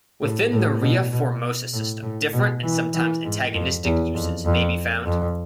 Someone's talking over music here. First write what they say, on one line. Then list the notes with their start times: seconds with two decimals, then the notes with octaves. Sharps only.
Within the Ria Formosa system, different and sometimes antagonistic uses may be found.
0.22 A2
0.52 A2
0.82 B2
1.12 B2
1.73 A2
2.03 A2
2.33 B2
2.63 E3
2.94 E3
3.24 G#2
3.54 F2
3.85 E2
4.15 F2
4.45 F2
5.05 F2